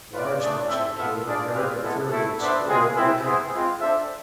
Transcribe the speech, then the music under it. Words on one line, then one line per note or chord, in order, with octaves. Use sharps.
Large parts of the cave have never been thoroughly explored or mapped.
F4 B4 D5
A3 D4 G#4 D5
C4 E4 A4 E5
B3 F4 A4 E5
D4 F4 G#4 D5
C4 G#4 B4 D5 F5
G#3 B3 E4 A4
A3 E4 A4
B3 D4 A4 C5 E5
G#3 C4 F4 G#4
G#3 C4 E4
B3 E4 G#4 C5
G#3 C4 F4
D4 A4 C5 E5